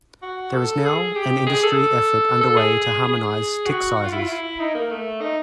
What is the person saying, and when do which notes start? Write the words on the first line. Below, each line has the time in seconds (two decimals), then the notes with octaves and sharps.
There is now an industry effort underway to harmonise tick sizes.
0.22 F#4
0.54 A4
0.85 G#4
1.16 G4
1.47 G#4
1.63 A4
2.41 A4
2.57 G#4
3.03 G#4
3.66 F#4
3.96 F#4
4.05 F4
4.12 E4
4.19 F4
4.27 E4
4.59 D#4
4.75 A#3
4.90 A3
5.21 D#4